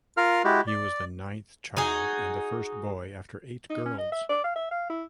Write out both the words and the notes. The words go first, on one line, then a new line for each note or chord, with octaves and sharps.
He was the ninth child and the first boy after eight girls.
F4 A#4 F5 F6
G#3 E4 F#4 G4
D5
D#4 F#4 G#4
D#4
C#4
D#5
E5
D5
F5
E5
F5
E4